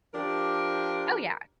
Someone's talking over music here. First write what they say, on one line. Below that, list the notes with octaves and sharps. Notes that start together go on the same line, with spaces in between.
Oh, yeah.
F3 D4 G4 A#4